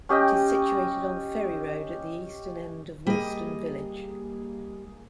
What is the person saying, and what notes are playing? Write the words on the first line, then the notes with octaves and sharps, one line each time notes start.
It is situated on Ferry Road at the eastern end of Woolston Village.
C#4 G4 D#5 G5
G3 A#3 G#4 D#5